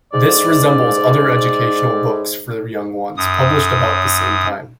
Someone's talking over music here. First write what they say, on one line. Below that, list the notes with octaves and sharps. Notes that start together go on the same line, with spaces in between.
This resembles other educational books for young ones published about the same time.
G#2 D5
F#2 D#6